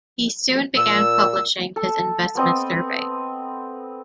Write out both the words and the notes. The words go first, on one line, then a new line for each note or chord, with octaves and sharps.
He soon began publishing his investment survey.
A#2 E6
A4
B3 C4 D#5